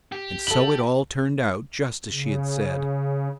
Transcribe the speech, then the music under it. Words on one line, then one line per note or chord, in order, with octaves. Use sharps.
And so it all turned out just as she had said.
G4
A4 F#7
C#3